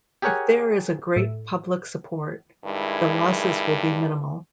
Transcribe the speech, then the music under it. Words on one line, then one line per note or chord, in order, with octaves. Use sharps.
If there is a great public support, the losses will be minimal.
G4 G#4 A#4 C#5 F#5 G#5
A2
G2 D#3 G#3 E4